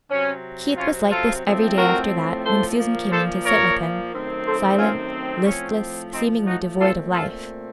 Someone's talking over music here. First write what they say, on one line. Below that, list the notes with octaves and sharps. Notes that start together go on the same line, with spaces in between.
Keith was like this every day after that, when Susan came in to sit with him--silent, listless, seemingly devoid of life.
C3 F#3 C4 C#4
C#4 F4
F4 A4
A2 F3 A3 C4
F#4 A#4
A4 C5
A#2 F3 A#3
A4 C5
A#4 C#5
F#2 D#3 A3 C4
A4 C5
C#4 F4
A2 F3 A3 C4 C#4
C4 D#4
D#4 F#4
A#2 A3 C4 F4 A4
F4 A4